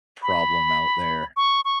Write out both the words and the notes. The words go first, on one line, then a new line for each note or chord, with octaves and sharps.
problem out there.
B5
C#6
C#6